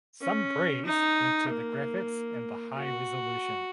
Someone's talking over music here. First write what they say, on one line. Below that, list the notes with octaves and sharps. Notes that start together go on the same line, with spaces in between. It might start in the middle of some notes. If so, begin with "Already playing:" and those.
Some praise went to the graphics and the high resolution.
C#4
D#4
A#3
F#4